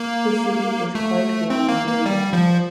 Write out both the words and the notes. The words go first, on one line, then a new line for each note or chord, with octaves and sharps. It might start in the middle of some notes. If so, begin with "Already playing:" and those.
The city is quite warm year-round.
Already playing: A#3
A3
C4
A#3
A#3
G3
F3